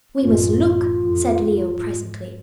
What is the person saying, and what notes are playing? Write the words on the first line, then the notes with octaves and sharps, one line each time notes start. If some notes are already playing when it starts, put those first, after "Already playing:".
"We must look," said Leo presently.
A1 F#2 F4
F2
G#2